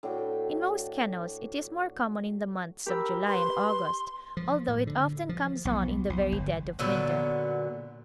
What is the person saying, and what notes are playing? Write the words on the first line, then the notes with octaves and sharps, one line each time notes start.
In most kennels it is more common in the months of July and August, although it often comes on in the very dead of winter.
A2 D4 F#4 G5
G4 A#4 B5 E6
B4 C6
F3
A2
D3
F3
B1
B1
G1
A#2 D3 F#3 B3